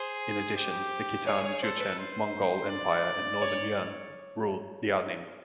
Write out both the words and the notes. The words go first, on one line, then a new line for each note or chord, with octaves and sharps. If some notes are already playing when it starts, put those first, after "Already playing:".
In addition, the Khitan, Jurchen, Mongol Empire and Northern Yuan ruled Liaoning.
Already playing: G#4 C5
G4
G#4 C#5
C#5
A4 C5
B4
C5
D5
C#5